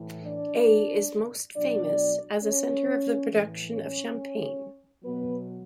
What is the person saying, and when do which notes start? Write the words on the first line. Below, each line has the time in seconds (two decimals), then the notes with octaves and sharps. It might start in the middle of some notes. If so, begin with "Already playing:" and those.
Ay is most famous as a centre of the production of Champagne.
Already playing: A2 E3
0.24 D4 D5
1.55 B2 F#3 D4 D5
2.41 C#4 C#5
3.29 A2 E3
3.72 C#4 C#5
5.03 B2 F#3 B3 B4